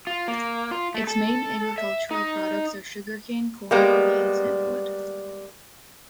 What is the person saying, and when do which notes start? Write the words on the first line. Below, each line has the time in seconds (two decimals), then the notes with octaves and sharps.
Its main agricultural products are sugar cane, corn, beans, and wood.
0.07 F4
0.28 A#3
0.71 F4
0.94 A3
1.07 A4
1.78 E5
2.11 D#4
3.71 G3 G#3 A#3 B3